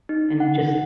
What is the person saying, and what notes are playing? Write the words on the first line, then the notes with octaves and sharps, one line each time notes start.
and just
D#4
F#5